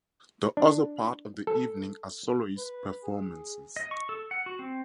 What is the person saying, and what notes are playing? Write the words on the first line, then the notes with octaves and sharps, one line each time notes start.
The other part of the evening are soloist performances.
D4
A4
B4
G#4
D#5
C#6
A4
F#5
F#4
C4